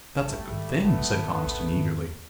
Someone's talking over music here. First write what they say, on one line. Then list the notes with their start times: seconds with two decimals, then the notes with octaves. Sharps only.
"That's a good thing," said Conniston, eagerly.
0.19 A1 G3 A3
0.51 G#2 D#3
0.81 A1 A3 B3
1.13 G#2 D#3
1.44 A1
1.76 G#2 D#3